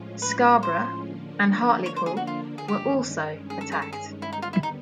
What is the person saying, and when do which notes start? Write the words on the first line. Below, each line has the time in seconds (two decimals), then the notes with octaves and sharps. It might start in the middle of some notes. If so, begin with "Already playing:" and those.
Scarborough and Hartlepool were also attacked.
Already playing: A2 F3 G#3 C#4 F4
0.22 B4
0.63 C5
1.04 D3 F3 A#3 D4
1.86 C#5
1.96 C5
2.06 G#4
2.17 F#4
2.27 F4
2.58 G#4
2.68 G2 D#3 G#3 C#4 G4
3.50 G#4
3.61 A4
3.72 G#4
3.82 A4
3.93 G#4
4.22 E4
4.33 D#2 D3 G3 B3 D#4
4.42 F4
4.53 E4
4.63 D#4